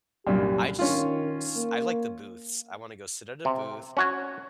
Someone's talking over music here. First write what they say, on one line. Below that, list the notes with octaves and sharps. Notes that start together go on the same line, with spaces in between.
I just s I like the booths, I wanna go sit at a booth.
C2 F#2 A#2 G4
D#3 C#4 F4
A#3
C3
C#4 F#4 C#5